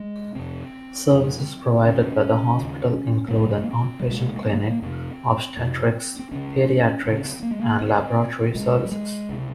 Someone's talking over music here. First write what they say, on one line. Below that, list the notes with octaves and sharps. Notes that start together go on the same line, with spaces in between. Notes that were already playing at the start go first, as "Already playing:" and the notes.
Services provided by the hospital include an outpatient clinic, obstetrics, pediatrics, and laboratory services.
Already playing: G#3
F2 C3 C4
F2 C3
D#2 C#3 C#4
D#2 C#3
A#3
C2 A#2 C4
G3
G#3
A#3
C4
G3
C2 A#2 G#3
C4
A#3
G#3
A#3
F2 C3 C4
F2 C3
C4
C#2 C#3 C#4
C#2 C#3 C4
C#4
C4
A#3
G#3
A#3
C#2 C#3 C4
C#2 C#3 G#3
G3
G#3
C#2 C3